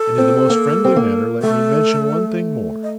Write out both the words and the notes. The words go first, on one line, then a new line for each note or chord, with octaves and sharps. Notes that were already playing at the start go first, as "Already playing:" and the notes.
And in the most friendly manner, let me mention one thing more.
Already playing: A4
C4
A#3
C4
A#3
A3 A4
D#5